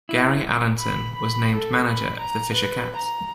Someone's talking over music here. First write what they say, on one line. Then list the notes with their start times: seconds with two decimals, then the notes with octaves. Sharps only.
Gary Allenson was named manager of the Fisher Cats.
0.09 E4
0.79 B5
1.16 B5
1.55 A4
1.89 B5
2.20 A#5
2.54 B4
2.96 A#5